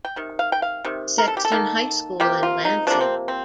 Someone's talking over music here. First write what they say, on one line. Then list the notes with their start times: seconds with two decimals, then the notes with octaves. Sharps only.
Sexton High School in Lansing.
0.05 G5
0.16 C3 D#3
0.39 F5
0.52 G5
0.62 F5
0.85 C3 D#3
1.18 A#4
1.28 A4
1.37 G4
1.45 A4
1.52 D#3 A#3
2.20 C3 F3 A#3 G4
2.43 F4
2.65 D#4
2.87 C3 F3 A#3 D4
3.01 C4
3.28 C4